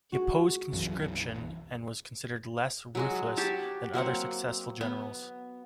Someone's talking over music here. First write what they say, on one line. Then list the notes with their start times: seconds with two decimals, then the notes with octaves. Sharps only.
He opposed conscription and was considered less ruthless than other successful generals.
0.12 G#3 F#4
0.72 B1 F#2 E3
2.95 F#3 G#3 F#4
3.37 F#4 G4 C#5 A5
3.94 F#3 A#3 C4 F#5
4.81 B3